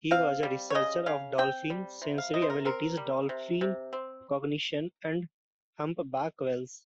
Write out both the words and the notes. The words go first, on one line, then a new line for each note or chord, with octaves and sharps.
He was a researcher of dolphin sensory abilities, dolphin cognition, and humpback whales.
C4 F5
G3
C#5
C#3 D#5
C#3 F5
C4 G5
G3
C3
F5
C3 D#5
C5
A#4
C4 A#4
G3
C3
C3
C4